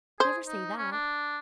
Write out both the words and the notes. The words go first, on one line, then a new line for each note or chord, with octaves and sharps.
Never say that!
G#4 C5
D#4
C#4
D4